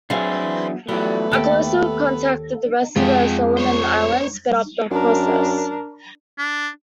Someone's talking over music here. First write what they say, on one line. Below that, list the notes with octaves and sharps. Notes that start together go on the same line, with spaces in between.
A closer contact with the rest of the Solomon Islands sped up the process.
F#3 C4 D4 G#4 B4 E5 F5
E3
E3 F#3 G3 A3 B3
D#2 G4 A4
F2 F3 G#3 F4 G4
C5 C#5
F#2 D4 A#4
D4